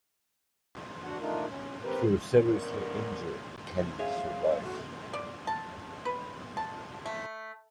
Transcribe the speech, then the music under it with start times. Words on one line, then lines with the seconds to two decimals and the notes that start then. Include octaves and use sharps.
Though seriously injured, Kennedy survives.
1.04 D4 F#4 F#5
1.20 A3 D4 D#4 F4 A#4
1.48 C#4
1.83 C4 G4 A#4 B4
2.41 A3 B3 C#4 D4 A#4
3.99 G#4 C#5 E5 F5
4.63 A3 F#4
5.13 D5
5.47 A5
6.05 B4
6.57 A5
7.06 A3